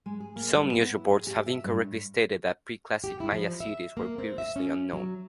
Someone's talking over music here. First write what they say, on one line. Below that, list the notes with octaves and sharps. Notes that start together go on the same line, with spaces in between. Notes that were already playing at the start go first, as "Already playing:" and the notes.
Some news reports have incorrectly stated that Pre-Classic Maya cities were previously unknown.
G#3
G#4
A#3
G3
B3
E4
G#4
G4
E5
G2
G4
E4
F3
E5
A#3
C4
E5
C#4
F#3